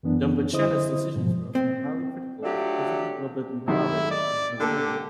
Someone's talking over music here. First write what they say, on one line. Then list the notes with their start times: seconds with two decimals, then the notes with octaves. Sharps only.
Dumbutshena's decisions were often highly critical of President Robert Mugabe and his government.
0.03 F#2 E3 B3 D4
0.53 D3 E4 C5 D#5 D#6
1.16 G#2 B2 F3
1.55 C4
2.43 F#3 A3 D4 F4 G4
3.68 F#2 C3 D#3 E4
4.11 D5 D#5
4.60 D3 A#3 G4 A4